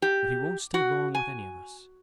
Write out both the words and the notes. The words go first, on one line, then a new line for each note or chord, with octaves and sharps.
But he won't stay long with any of us.
G4
F#4
G#5